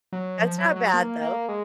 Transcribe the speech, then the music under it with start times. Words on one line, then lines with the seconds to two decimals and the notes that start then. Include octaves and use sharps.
That's not bad, though.
0.12 F#3
0.39 F3
0.58 F#3
0.76 F#3
0.94 A#3
1.21 A#3
1.49 G#3